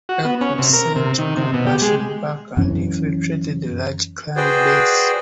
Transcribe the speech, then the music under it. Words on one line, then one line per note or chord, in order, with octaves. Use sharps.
Ecco sent Compassion back and infiltrated a large Clan base.
F#4
B3
C#4
C3
A#4
C3
D#3
C3
B2
G4
G#3
F#2 E3 C#4
F#4 G#4 B4 C5 D5 G5